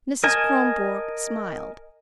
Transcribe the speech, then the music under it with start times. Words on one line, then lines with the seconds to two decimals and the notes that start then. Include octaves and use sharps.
Mrs. Kronborg smiled.
0.24 A#4 D#5 G#5 A5